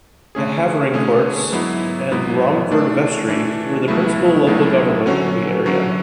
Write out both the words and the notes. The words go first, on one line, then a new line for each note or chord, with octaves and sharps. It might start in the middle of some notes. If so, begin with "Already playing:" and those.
The Havering courts and Romford vestry were the principal local government in the area.
D3 A3 C#4 G#4
D3 A3 C#4 G#4
G#2 F#3 B3 E4
G#2 F#3 B3 E4
E3 A3 D4
E3 A3 D4
C#2 B2 F#3 A3 E4
C#2 B2 F#3 A3 E4
D3 F#3 C#4 F#4
D3 F#3 C#4 F#4